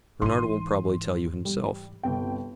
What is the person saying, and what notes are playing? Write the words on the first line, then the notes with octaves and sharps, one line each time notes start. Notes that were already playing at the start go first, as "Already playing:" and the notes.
Bernard will probably tell you himself.
G#2 E3 C6 D#7
G3
G1 C2 G5